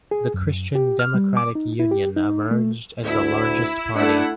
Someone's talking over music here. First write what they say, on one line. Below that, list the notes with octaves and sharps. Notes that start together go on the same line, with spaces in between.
The Christian Democratic Union emerged as the largest party.
G#4
F#2
G4
F6
G3
D6
D#4
E4
G4
D#4
A3
D2 E4
A3 D4 E4 F#5